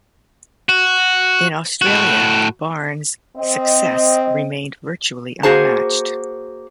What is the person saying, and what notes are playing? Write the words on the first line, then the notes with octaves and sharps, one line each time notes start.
In Australia, Barnes' success remained virtually unmatched.
F#4
A2 F#4
C4 D#5
A#3 F#4 G#4 C5 A5